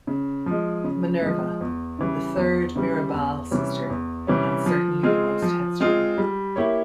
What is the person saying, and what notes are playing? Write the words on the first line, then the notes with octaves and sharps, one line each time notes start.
Minerva: The third Mirabal sister, and certainly the most headstrong.
C#3
F3 G#3
C#3
F3 G#3
E2
C#3 E3 G3
E2
C#3 E3 G3
E2
C3 E3 G3 C#4
E2
C3 E3 G3 C#4
F3
G#3 C4 F4 G#4
F3
G#3 C4 F4 G#4
G3
A#3 E4 G4 C#5